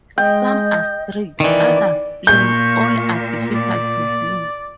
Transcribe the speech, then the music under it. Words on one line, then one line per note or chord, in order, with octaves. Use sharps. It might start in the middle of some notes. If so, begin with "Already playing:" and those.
Some are streaked, others plain, all are difficult to view.
G#3 D#5 G5
D#3 E3 D5
A#2 C#6 G6
D5